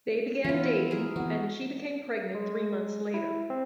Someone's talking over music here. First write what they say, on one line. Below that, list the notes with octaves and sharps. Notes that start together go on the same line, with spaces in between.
They began dating, and she became pregnant three months later.
E3 B3 E4 F4
G#4 A#4
E3 B3 F#4
G#3
E4
C4